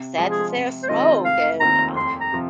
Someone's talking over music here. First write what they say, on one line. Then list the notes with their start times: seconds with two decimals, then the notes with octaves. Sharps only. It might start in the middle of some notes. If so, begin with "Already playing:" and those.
sad to say, a smoke," and, um
Already playing: C3
0.18 F3 G#3
0.29 G#4
0.53 C3
0.83 C5
0.89 D#3 G#3 C4 F4 D#5
1.25 F1 F5
1.60 D#2 D#3 C4 F4 A#5
1.96 F2 C6
2.20 A#5
2.32 C3 F3